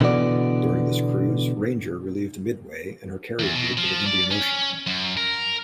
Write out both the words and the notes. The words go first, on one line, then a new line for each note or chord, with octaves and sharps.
During this cruise, "Ranger" relieved "Midway" and her carrier group in the Indian Ocean.
B2 D3 E3 B3 F#4 D5
E2
B2
F3
D5
C#4
F#2
A#4